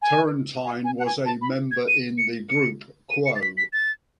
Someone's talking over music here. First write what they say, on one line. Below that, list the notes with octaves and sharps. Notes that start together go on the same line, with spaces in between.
Turrentine was a member in the group Quo.
G#5
G#5
G#5
F#5
G#5
A5
B5
G#6
D#7
C#7
C#7
D#7
C#7
A6
B6
B6
A6